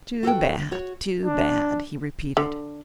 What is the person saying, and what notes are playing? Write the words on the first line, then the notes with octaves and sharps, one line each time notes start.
"Too bad, too bad," he repeated.
F#4 A4 B4 G5
F#4 C#5
D4
D3